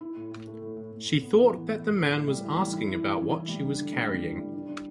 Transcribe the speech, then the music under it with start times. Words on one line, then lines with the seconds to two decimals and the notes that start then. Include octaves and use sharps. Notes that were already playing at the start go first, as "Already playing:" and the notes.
She thought that the man was asking about what she was carrying.
0.01 E4
0.16 A2
0.31 A2
0.47 A3
0.62 A2
0.77 A2
0.91 A2
1.08 A2
1.21 B3
1.37 E3
1.52 E3
1.67 A2
1.83 A2
1.97 A2
2.13 A2
2.27 G3
2.43 E3
2.57 G3
2.73 E4
2.88 E4
3.02 E3
3.17 E3
3.32 E4
3.48 G3
3.64 D3
3.79 D3
3.93 G3
4.08 G3
4.24 E4
4.38 G3
4.54 D4
4.69 D4